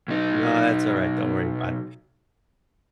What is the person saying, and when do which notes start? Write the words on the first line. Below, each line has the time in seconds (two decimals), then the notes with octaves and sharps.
No, that's alright. Don't worry about it.
0.08 B1 D#4